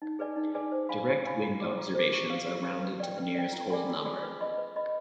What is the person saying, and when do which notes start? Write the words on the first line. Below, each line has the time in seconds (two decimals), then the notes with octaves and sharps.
Direct wind observations are rounded to the nearest whole number.
0.02 D#4
0.19 G#4 B4 D5 G#5
0.36 D#4
0.54 G#4 B4 D5 G#5
0.72 C5
0.89 F5 G#5 B5
1.07 C5
1.25 F5 G#5 B5
1.42 F4
1.60 G#4 C5
1.77 F4
1.95 G#4 C5
2.13 G4
2.30 B4 F5
2.47 G4
2.65 B4 F5
2.82 B4
3.00 D5 G5
3.18 B4
3.35 D5 G5
3.53 F4
3.70 G#4 D5 G#5 B5
3.87 F4
4.05 G#4 D5 G#5 B5
4.23 B4
4.41 D#5 B5
4.58 B4
4.76 D#5 B5